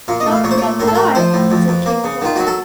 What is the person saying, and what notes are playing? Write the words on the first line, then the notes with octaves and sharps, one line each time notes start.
"Do not forget the diet!" said King Hroar.
A#2 F5
D#5
A3
F5
A#2 C#5
C5
A3 C#5
A2 A#4
A4
A3 A#4
F3 C5
A2
F2
F2
A#3
C#3
D#3 F4
F#3 F#4
A4